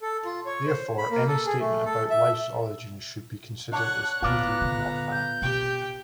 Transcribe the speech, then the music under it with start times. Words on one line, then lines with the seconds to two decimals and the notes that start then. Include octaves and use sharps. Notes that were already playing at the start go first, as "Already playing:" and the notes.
Therefore, any statement about life's origins should be considered as theory, not fact.
0.02 A4
0.25 F4
0.46 C#5
0.67 C5
0.98 B5
1.10 A#3
1.28 A4
1.46 G#4
1.60 A3
1.86 A4
2.10 E5
3.72 D4 C#5 F#5 F#6
4.22 D2 A#2 B3 F4 D5 A#5
4.61 A#2 D3
5.12 G6
5.42 B2 G4 G5